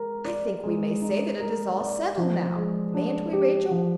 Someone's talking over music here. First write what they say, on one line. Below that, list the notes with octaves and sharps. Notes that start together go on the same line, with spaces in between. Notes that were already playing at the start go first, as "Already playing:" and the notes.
I think we may say that it is all settled now;--mayn't we, Rachel?
Already playing: G#3 A#4
D5
G#3
D#4
A#4
D5
F3
G#3
D4
G4
F3